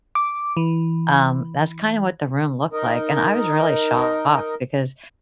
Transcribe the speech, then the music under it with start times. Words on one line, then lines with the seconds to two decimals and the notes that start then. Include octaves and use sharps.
um, that's kinda what the room looked like, and I was really shocked because
0.15 D6
0.57 E3
2.73 D#4 A#4 D#5